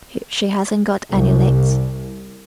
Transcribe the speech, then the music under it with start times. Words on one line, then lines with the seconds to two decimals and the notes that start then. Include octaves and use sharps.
She hasn't got any legs.
1.11 C2